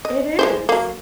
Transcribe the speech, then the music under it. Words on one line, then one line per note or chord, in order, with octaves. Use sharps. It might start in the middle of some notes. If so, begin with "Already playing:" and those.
It is.
D#5
G#3 E4 C5
F#3 A#3